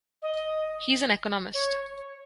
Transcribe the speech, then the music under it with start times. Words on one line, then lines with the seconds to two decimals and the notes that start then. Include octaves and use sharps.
He is an Economist.
0.22 D#5
1.54 C#5